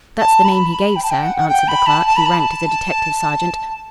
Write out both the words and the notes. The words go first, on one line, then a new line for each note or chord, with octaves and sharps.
"That's the name he gave, sir," answered the clerk, who ranked as a detective-sergeant.
A5
B5
B5
G5
A5
G5
F#5
F#5
G5
B5
A5
A5
B5
A5